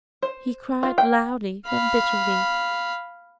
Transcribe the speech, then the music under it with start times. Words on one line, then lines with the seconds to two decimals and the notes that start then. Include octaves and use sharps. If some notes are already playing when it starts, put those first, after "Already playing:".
He cried loudly and bitterly.
0.22 C5
0.83 F4
0.98 G5
1.67 F5 B5